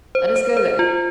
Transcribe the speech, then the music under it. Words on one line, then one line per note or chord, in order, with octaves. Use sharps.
"Let us go there."
C5
C5
C5
F4